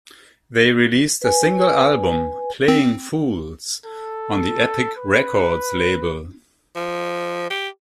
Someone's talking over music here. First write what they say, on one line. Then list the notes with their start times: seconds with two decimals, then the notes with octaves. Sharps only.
They released a single album, "Playing' Foolz" on the Epic Records label.
1.22 B4 G#5
2.68 C4
3.86 A4
4.98 B4
6.76 F3
7.50 G4